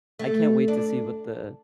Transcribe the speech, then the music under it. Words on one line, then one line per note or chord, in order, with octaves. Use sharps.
I can't wait to see what the
A3
D4